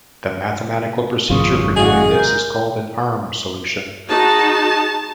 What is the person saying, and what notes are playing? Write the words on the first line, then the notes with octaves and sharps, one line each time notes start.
The mathematical procedure for doing this is called an arm solution.
G#1 F#2 C#3 F4 C#6 D#6
G#3 F#4 G#4 D5 F5
A#4 G6
D#4 F#4 G#4 A5